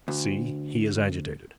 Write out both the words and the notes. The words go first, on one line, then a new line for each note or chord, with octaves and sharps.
'See, he is agitated!'
D2